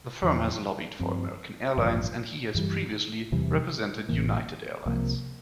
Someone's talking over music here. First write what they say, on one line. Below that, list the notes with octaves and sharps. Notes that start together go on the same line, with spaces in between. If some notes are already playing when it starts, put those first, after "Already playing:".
The firm has lobbied for American Airlines, and he has previously represented United Airlines.
E2 D3 F3
G2 F3 C4
A1 G2 D3 F3
G2 E3 G3
E2 C3 E3 G3
A1 A2 E3 A#3
C2 C3 F3 A#3